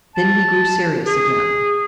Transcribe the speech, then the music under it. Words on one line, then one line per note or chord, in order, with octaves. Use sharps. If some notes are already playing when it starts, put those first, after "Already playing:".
Then he grew serious again.
A5
G#4